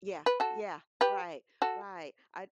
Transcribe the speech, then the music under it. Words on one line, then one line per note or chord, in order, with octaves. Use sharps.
Yeah, yeah, right, right I It's
B4
F#4 A4
G4 B4
F#4 A4